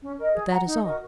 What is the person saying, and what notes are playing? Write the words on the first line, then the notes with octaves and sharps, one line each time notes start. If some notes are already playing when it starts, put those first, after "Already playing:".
But that is all.
C#4
A#4 D#5
G#4
F#5 A#5
D#4
F#4 A#4 D#5